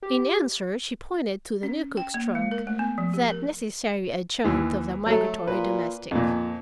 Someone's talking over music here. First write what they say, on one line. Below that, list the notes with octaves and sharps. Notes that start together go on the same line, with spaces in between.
In answer she pointed to the new cook's trunk--that necessary adjunct of the migratory domestic.
G4
C#4
G5
A#3
G#3
A#4
A3
B3
F3
G4
A#4
D#2 E3
F#3 A3 A4
A#2 B4
F2 A#2 F3